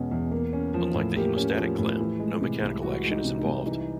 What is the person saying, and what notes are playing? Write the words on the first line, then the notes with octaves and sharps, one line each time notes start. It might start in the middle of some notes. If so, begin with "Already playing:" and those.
Unlike the hemostatic clamp, no mechanical action is involved.
Already playing: E2 B2 G#3 C#4
E2
A#3
C#4
F3
A2
A#3 G4
C#4
F3
A2
E3
G#3
C3
C2
E3 F#4
G#3
D#4
C3
D#4
C2
E3 D#4